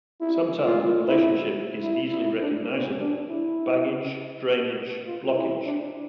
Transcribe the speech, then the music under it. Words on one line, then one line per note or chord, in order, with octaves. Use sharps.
Sometimes, the relationship is easily recognizable: baggage, drainage, blockade.
E4
F4
E4
E4
E4
D4
B3
D4
E4
F4
E4
D4